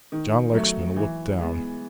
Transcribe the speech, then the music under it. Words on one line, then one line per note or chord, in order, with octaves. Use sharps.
John Lexman looked down.
D#3
F#3 A3
E3
G#3 B3